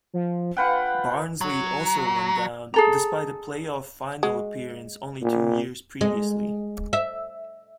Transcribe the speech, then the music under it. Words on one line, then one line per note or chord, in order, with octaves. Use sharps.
Barnsley also went down, despite a play-off final appearance only two years previously.
F3
F4 B4 F#5 G5
F#3
G#4 A4 A#5
G#3 F#4
A#2
G#3
E5